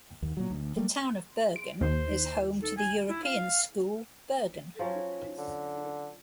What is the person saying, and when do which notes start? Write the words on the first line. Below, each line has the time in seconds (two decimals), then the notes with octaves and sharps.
The town of Bergen is home to the European School, Bergen.
0.22 D#2
0.37 A#2 F#3
0.50 D2
0.76 F#3 G3 A3 A#3
1.56 D7
1.81 D#2 C5
2.62 A4
2.77 G#5
3.09 E4
3.24 F5
4.79 F3 F#3 C#4
5.38 D3